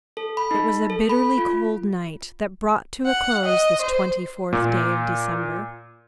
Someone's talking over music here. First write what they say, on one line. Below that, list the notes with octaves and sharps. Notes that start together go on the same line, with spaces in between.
It was a bitterly cold night that brought to a close this twenty-fourth day of December.
A4
B5
D#4
A4
B5
F4
F#5
D#5
C5
A#2